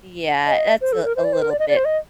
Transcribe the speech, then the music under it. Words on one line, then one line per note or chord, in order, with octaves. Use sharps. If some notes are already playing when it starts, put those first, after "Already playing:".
Yeah, that's a a little bit,
D#5
C5
A4
A#4
C5
D5
C5
A#4
D5
D#5
D5
C5
D#5